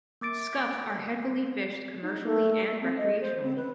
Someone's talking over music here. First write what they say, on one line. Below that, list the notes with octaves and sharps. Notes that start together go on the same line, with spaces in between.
Scup are heavily fished commercially and recreationally.
A#3 D6 A6 D7
D#4
A3
A3
C4
D#5
C5
C4
B4